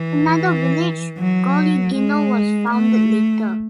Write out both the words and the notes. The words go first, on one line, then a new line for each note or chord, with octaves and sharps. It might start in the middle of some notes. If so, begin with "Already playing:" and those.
Another village, Golygino was founded later.
Already playing: E3
F#3
G#3
A3